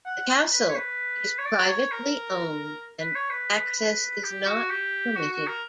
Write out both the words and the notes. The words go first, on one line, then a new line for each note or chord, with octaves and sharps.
The castle is privately owned and access is not permitted.
F#5
B4
C#5
B4
C#5
D5
C#5
A#4
B4
C#5
B4
B4
G4
F#4
G4
F#4
F#4
A#4